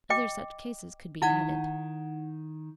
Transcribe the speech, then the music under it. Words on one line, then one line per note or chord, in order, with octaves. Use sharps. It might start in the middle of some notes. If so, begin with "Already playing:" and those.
Other such cases could be added.
D#5 G5 D6
D#3 D#4 E4 F#5 G#6